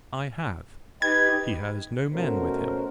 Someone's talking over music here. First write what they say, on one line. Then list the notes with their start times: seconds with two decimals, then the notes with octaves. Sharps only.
I have. He has no men with him.
1.02 D#4 G4 B4 G#6
2.14 B2 A3 C#4 F#4 A#4 C5